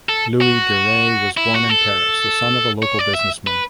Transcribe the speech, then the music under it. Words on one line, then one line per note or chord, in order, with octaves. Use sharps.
Louis Durey was born in Paris, the son of a local businessman.
A4
F#4
E4
F#4
A4
C#5
D5
E5
B4